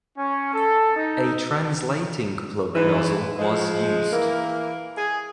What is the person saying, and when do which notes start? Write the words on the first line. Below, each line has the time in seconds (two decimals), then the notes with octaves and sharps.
A translating plug nozzle was used.
0.16 C#4
0.54 A4
0.96 D#4
2.75 G#2 E3
3.39 F3 G#3
4.12 E3 A#3 E4 A#4
4.96 G#4